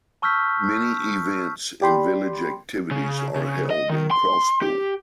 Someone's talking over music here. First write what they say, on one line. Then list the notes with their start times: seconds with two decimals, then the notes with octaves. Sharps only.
Many events and village activities are held in Crosspool.
0.22 A5 C#6 E6 F6 G6 B6
1.81 G4 D5 G5 B5 C6
2.91 C#3
3.36 C#3
3.70 D#5
3.90 D#3
4.11 C6
4.62 G4